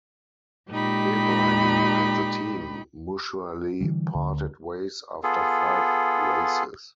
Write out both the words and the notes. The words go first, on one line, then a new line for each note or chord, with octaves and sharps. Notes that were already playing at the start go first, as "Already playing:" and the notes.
Ebrahim and the team mutually parted ways after five races.
A#2 G#3 D#4 G4 B5
D3 E3 G3
D2 D3
B3 F4 G#4 A4